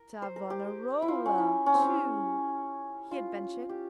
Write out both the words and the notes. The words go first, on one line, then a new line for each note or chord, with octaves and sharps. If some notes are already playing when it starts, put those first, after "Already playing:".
'Savonarola, too,' he adventured.
Already playing: A#4
C5
A#4
G4
E4
F4
C#4
E4
C#4
C4
C#4
F4
G4